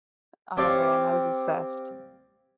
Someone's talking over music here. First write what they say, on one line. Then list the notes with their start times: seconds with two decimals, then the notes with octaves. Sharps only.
Oh, man. I was obsessed.
0.57 C4 G4 C#5 D5 F5